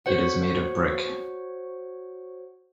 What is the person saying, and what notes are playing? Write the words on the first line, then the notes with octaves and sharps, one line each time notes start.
It is made of brick.
F#4 C5 C#5 F#5